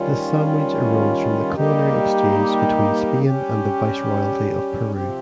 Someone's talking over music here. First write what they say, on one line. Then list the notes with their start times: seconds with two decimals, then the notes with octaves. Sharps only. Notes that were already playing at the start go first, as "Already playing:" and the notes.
This sandwich arose from the culinary exchange between Spain and the Viceroyalty of Peru.
Already playing: D#3 G3 C#4 F4
1.54 G3 A#3 D#4 G4
3.23 G3 C#4 G4
4.92 C3 F3 C4 G4